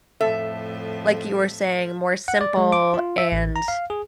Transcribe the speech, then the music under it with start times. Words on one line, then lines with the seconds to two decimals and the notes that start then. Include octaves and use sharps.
like you were saying, more simple and
0.21 F2 A2 A4 E5
2.28 F#5
2.41 D5
2.58 G#3
2.72 D6
2.94 F4
3.18 E5
3.32 A1
3.56 A#5
3.68 F5
3.90 G#4